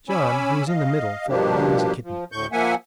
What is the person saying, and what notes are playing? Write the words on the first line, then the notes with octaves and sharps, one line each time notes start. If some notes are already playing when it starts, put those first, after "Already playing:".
John, who was in the middle, felt warm as a kitten.
C#4 C#5 G#5 B5 D6 E6
D#5 F5
G2 B2 F3 A#3 D4 G4
F3
D2 A2 C#6 G6
F3 A#3 E5 F#5 G#5